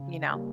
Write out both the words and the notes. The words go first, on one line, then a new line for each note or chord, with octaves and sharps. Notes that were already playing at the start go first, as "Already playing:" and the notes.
You know?
Already playing: C#3
G3 A#3